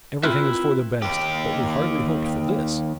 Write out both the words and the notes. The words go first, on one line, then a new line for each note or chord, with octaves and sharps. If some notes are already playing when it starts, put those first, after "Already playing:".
Everything is for the best, but we hardly hoped for this!
C4 E4 F4 A#4 B4 E5
D#2 G4